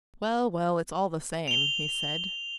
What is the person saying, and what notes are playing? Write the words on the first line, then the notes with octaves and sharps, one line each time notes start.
"Well, well, it's all the same," he said.
F7 G7